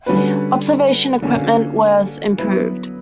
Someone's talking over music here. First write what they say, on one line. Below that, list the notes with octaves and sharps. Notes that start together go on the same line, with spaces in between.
Observation equipment was improved.
D3 G3 C#4 F#4 B4
D3 A#3 C#4
F#3 B3 E4 B4